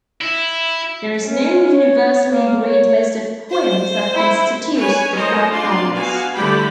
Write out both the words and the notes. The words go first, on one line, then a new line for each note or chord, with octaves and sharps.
There is no universally agreed list of poems that constitute the "Bab Ballads".
E4
C#4
C#5
A#3
C#5
C5
E4
B4 C#5 G#5
A3 D#4 A#4 C5 C#5 D#5
D4 F4 D5 C6
B3 F#4 F5 G#5
D3 G3 A3 E4 G5 B5